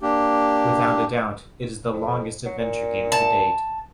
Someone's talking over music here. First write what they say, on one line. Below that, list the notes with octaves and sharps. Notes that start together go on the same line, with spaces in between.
Without a doubt, it is the longest adventure game to date.
A#3 D4 G4
F2
F#3
A#2
A5